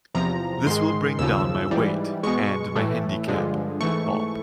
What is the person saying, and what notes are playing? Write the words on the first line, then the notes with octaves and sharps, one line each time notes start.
This will bring down my weight and my handicap, Bob.
E2 C3 F3 A#5
G#2 D#3 G#3 C6
D#2 C#3 F3 E6
G#2 E3 G3
B2 G#3 C#6
A2 E3 A3
G2 D3 F3 G#3
G#2 E3 A3 C#6